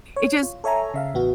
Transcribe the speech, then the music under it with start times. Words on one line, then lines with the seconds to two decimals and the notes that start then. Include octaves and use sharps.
it just
0.16 C#5
0.43 F4
0.64 A4 C#5 E5 G#5 A#5
0.94 C#3 E5 F5
1.14 A1 B3 F#4